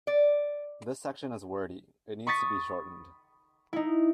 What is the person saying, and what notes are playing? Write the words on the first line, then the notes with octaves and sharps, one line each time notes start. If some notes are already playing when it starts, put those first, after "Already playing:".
This section is wordy, it needs to be shortened.
D5
B5 C#6 D#6 A6 B6 C#7
D#4 E4